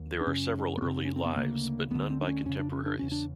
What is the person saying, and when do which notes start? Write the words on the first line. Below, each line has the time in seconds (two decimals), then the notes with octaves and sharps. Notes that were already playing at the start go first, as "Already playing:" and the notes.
There are several early "Lives", but none by contemporaries.
Already playing: D#2
0.21 D4
0.26 F#2 C#3 C#4
0.77 B3
0.82 F#2 C#3 C4
1.05 C#4
1.16 C4
1.26 B3
1.36 D2 C#3 A#3
1.91 D2 D3 B3
2.10 C4
2.22 D4
2.27 C#4
2.45 F2 C#3 C#4
2.59 D4
2.72 C#4
2.86 D4
2.99 E2 C#3 C#4
3.12 D4